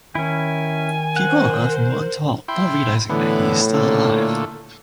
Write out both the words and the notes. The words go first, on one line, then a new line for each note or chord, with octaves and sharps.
People on Earth mourn Tom, not realising that he is still alive.
D#3 C#4 E4 G#5
A#4 C5 F#5
E4 G5 C6
A2 D3 E3 B3
A#2 D3 A3